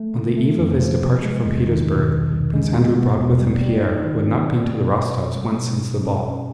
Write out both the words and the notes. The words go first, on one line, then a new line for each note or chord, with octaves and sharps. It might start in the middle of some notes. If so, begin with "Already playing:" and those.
On the eve of his departure from Petersburg Prince Andrew brought with him Pierre, who had not been to the Rostovs' once since the ball.
Already playing: A3
D3
A3
F2
F3
C3
G#3
E2
D#3
B2
C2
C2
G#3
B2
B3
E2
G3
G3
D#4
D#3
C4
G3
B2
B2
C4
G#3
B2
B2
C#4
G3